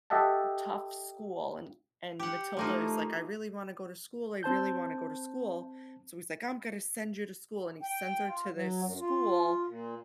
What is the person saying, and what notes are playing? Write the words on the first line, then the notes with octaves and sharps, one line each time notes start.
tough school, and and Matilda is like, "I really wanna go to school, I really wanna go to school," so he's like, "I'm gonna send you to school," and he sends her to this school
G4 A4 D#5 E5 F#5 A5
G4 F#5
F3 A3 A#3 D#4
C4 C5 A5 G6
G5
F4
F#3
F#2
F4
A#2